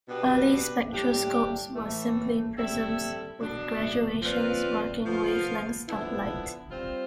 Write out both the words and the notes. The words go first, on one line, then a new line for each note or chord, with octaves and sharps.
Early spectroscopes were simply prisms with graduations marking wavelengths of light.
B2 B3 D4 G4 B4
A2 G3 D4 G4
A2 E3 A3
G3 C4 E4 A4
B2 B3 D4
F3 C4 F4 B4 D5
F3 B3 F4
D3 F3 B3 E4
G3 C4 F4 C5